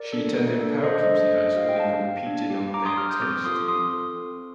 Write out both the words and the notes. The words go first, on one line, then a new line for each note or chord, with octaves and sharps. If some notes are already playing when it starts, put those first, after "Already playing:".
She attended Poughkeepsie High School and competed on their tennis team.
Already playing: A#4 D5
D4 A4
A3
D4 A4
A3 C5 D#5
D4 A4
D4
D#5
G4 F5
G5
D4 F5 A5
G4
D4
G4
D4 A#5 D6
C6 D#6
G4 D6 F6
D#6 G6
C4 D6 F6
D6
F4 A4 C6 D#6
C4 C6 D#6
F4 A4
C4